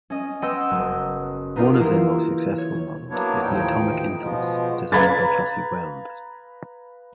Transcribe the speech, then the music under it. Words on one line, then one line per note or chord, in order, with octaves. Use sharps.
One of their most successful models is the Atomic Infamous designed by Jossi Wells.
C#4 D#5
B3 D#5 F#5 G5 C6 E6
F#1
B3 D#4 F4 G4 A#4
E3 A#3 E4 F4 A#4
C#5
F#3 A#3 B3 D4 E4 C#5
D#2 A2 E3 F3 D#4 G5
B2 F3 G#3 B3
B4 F5 A#5 B5 G#6 A6